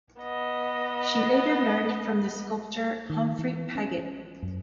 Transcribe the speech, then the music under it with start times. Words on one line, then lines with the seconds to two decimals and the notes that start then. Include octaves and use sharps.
She later learned from the sculptor Humphrey Paget.
0.22 B3 D#5
3.10 D#3
3.38 E3
3.75 C#4
4.42 F#2